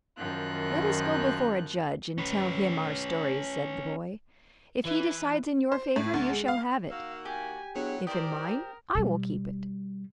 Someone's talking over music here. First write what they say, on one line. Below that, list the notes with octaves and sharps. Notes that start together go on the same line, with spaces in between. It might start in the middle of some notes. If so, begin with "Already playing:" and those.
'Let us go before a judge, and tell him our stories,' said the boy. 'If he decides in your favour, you shall have it; if in mine, I will keep it!'
F#2 D#3 F3 F4 F#6
C#4 B4
E3 E4 B4
C5
A2
D2
G#3
F5
D#3 A#3 F#4 F5 E6
G4 G#5
F#3 B3 D4 E4 F#4 G#4 C#5
E3 G4 A#4 C5 D5 D#6
B2 G3